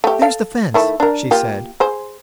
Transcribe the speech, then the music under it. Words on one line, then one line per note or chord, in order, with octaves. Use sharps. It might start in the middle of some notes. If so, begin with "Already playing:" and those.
"There's the fence," she said.
A3 G4
A4 F5
D#3 A3 E4
D4 A#4
A#3 F4 G4
G#4 C5